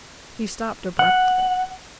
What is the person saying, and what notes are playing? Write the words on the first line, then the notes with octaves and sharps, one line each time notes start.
He stopped abruptly.
F#5